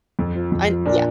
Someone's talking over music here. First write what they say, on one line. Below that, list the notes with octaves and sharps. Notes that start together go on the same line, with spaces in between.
I n Yeah.
F2
F3
F2
F3
A#2 D4